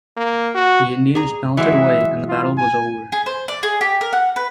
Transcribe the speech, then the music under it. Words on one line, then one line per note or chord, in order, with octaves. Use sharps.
The Indians melted away and the battle was over.
A#3
F#4
G#4 A#5
E3 F#3 G#3 E5
F4
G#5
G#4
C5
D5
G#4
G4
A#4
F#5
B4